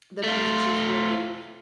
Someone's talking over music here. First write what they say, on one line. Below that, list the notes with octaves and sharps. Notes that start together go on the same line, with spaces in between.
the beach is really,
A3 F4